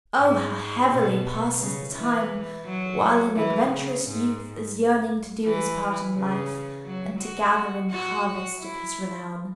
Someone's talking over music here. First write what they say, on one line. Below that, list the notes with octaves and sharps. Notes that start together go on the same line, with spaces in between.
Oh, how heavily passes the time, while an adventurous youth is yearning to do his part in life, and to gather in the harvest of his renown!
G#2
B2
C#3
E3
F#3
E3
C#3
G#2
E3
C#3
F#3
F#4
F#4
E4